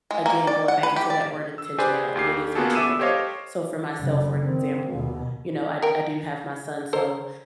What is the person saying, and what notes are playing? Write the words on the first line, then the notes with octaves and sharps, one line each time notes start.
again, going back into that word "intentionality," it is what you make it, so, for myself, for example, you know, I d I do have my son, so,
G#3
A#3
D5
F#5
B4
G4
D5
E6
G4 G#4 B4 C5 D5 G#5
D#2 G4 C7
A#3 B3 F4 F#4 G#4 A4
B3 E5 D6 E6 D#7 E7
G4 A4 C5 C#5 D#5 F5
F#1 C#3
D#3 C4
D#2 B2
A#4 G5
A4 A#4 C5